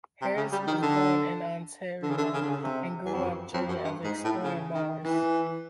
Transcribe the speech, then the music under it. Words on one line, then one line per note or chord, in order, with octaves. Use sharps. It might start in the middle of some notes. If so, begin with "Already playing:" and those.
Harris was born in Ontario and grew up dreaming of exploring Mars.
C3
C#3
G3
D#3
D3
D3
C#3
D3
C#3
D3
C#3
C3
E2
F2
F#2
F2
F#2
G2
G#2
A2
C#3
D#3
E3